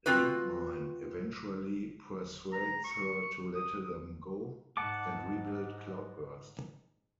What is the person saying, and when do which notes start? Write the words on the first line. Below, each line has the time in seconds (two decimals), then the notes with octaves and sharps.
Landmine eventually persuades her to let them go and rebuild Cloudburst.
0.06 C4 F4 F#4 B4
2.52 A#5
2.84 C#6
3.55 D#6
4.77 G#2 F#5 A5 D6